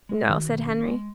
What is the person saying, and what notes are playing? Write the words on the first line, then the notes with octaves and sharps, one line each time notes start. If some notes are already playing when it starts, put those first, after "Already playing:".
"No," said Henry.
G#3
D#3 F#4
B2
C#4
G#3